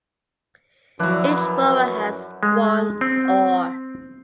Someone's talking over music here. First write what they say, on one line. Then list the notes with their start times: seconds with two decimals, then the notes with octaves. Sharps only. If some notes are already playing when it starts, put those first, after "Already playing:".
Each rower has one oar.
0.99 F#2 F3 F#3 E4 B4 D5
2.43 G#3
3.01 C4